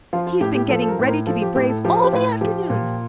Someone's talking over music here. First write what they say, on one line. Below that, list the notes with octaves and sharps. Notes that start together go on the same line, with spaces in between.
'He's been getting ready to be brave all the afternoon.
F3 F4
F4
A2 G4
G4
F3 A4
A4
A#4
A2 C5
A#4
F3 A4
G4
A2 G4
A4
F3 G4
G4
A2 F4
F3 G4
A#2